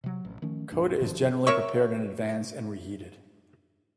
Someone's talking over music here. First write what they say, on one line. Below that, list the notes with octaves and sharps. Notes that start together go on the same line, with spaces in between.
Coda is generally prepared in advance and reheated.
C3 F#3
A1
D#3 F3 A3 C#4
D#1 A#1 F#2 D4
G1 G2 D#3 F3
A#4 C#5 E5 C#6